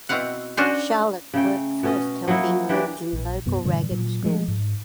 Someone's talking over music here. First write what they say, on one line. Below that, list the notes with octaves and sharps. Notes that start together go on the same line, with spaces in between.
Charlotte worked first helping in local ragged schools.
B2 C4 E4 F5 F#5
C#4 D4 F#4 C5
C#3 A3 G5
B2 C#4 D#5
F#3 A#3 D#4 E4
E3 D4 G4
A#1
B1 F#2 B2
G2 A#2 D3 E3
A#2 F#3
F3 F#3 G#3 A3
G#2